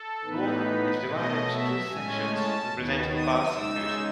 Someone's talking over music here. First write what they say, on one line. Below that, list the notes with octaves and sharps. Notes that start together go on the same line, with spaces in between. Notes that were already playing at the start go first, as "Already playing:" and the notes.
The work is divided two sections representing past and future.
Already playing: A4
A2 E3 B3 D#4 B4
B2 F#3 A3 D#5
E5
A2 G#3 C#4 G#5
A5
D#2 D#3 F#3 B3
D#6
C#3 G#3 D#4 E6